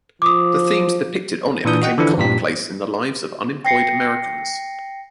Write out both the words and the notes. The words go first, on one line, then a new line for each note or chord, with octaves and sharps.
The themes depicted on it became commonplace in the lives of unemployed Americans.
F3 D6 D#6
A#2 E3 D4 D#6 G6
F#4 D#5 F#5 G5
D3 E3 F3 D4 E4
G2 A#2 G4 B6
G5 A#6 C7 C#7